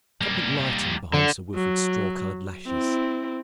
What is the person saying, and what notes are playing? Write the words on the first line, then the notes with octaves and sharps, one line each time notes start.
Something lightened behind Sir Wilfrid's straw-colored lashes.
G3 A#3
D3
F#3
C4 E4